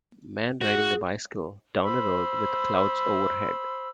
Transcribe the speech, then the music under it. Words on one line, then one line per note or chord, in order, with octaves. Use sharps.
Man riding a bicycle down a road with clouds overhead.
F#4 G#4
C5 B5 E6